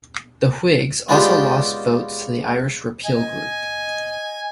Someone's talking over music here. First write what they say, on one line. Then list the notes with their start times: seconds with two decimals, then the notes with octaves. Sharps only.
The Whigs also lost votes to the Irish Repeal group.
1.09 G#3 B3 C#4 D4 F4 G4
3.05 D#5 G#5